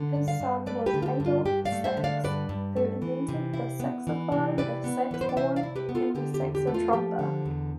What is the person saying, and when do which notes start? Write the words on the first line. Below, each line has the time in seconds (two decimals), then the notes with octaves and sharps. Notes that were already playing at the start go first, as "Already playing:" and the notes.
His son was Adolphe Sax who invented the saxophone, the saxhorn and the saxotromba.
Already playing: D3
0.15 G2
0.28 D5 F5
0.41 G2
0.66 A3 B4 D5
0.86 G4 B4
0.94 D3
1.02 F4
1.06 G4
1.20 G2
1.26 F4
1.45 G2 G4
1.65 D5 F5
1.72 A3
1.84 C5 E5
1.97 D3
2.04 D5 F5
2.24 G2 B4 D5
2.49 G2
2.76 A3
3.02 E3
3.29 C3
3.54 E4
3.80 B3
4.07 E3
4.32 C3
4.58 E4 B4 D5
4.84 B3
5.11 E3 B4
5.21 C5
5.29 D5
5.37 C3 C5 E5
5.56 D5 F5
5.63 E4
5.76 G4 B4
5.89 B3
5.95 F4 A4
6.15 D3 G4
6.34 G4
6.41 E2
6.55 G4
6.67 A3
6.74 F4
6.88 A4
6.93 F3 G4
7.19 D3
7.45 E2